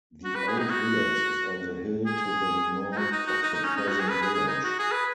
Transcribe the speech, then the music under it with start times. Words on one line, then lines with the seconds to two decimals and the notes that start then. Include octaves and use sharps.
The old village is on the hill to the north of the present village.
0.24 F#4
0.35 B4
0.48 G#4
0.59 D#4
0.70 F#4
2.06 G#4
2.92 D#4
2.97 F#4
3.12 D#4
3.27 F#4
3.43 D#4
3.54 D#4
3.64 C#4
3.77 D#4
3.88 F#4
3.99 G#4
4.10 B4
4.22 G#4
4.34 G#4
4.48 D#4
4.64 F#4
4.79 G#4
4.92 B4